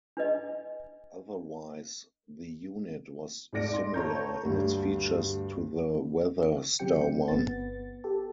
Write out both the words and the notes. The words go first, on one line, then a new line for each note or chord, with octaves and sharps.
Otherwise, the unit was similar in its features to the Weather Star One.
D4 B4 D#5
G#2 A3 D5 A#6 D7
C6
A4 C#5 A#5 G6
D2 G2
C#3 F#3 C4 G4 G5 C#7
C4
G1 B3 A6
G4 A4